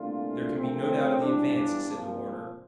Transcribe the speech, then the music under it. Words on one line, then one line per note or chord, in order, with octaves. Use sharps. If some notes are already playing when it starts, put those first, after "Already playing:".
"There can be no doubt of the advance!" he said to Warner.
Already playing: C2 A#2 A3 D4 F4
A#1 A#2 A3 C4
G1 G2 E3 G3 D4
C2 A#2 F3